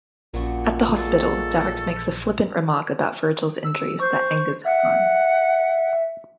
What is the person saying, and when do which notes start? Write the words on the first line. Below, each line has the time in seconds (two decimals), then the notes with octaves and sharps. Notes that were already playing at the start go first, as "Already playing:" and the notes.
At the hospital, Daric makes a flippant remark about Virgil's injuries that angers Han.
0.34 A#1 F#2 A#2 F#3 C#6
0.98 F#3 G#3 A4
3.64 E6
4.00 C5 C#6
4.65 E5 F#5